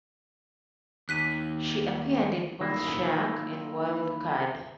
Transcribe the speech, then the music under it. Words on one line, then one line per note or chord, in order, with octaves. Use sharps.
She appeared in both "Shark" and "Wild Card".
D#2 F#6 B6 D#7
D#3 F#3 A#3 E4 F4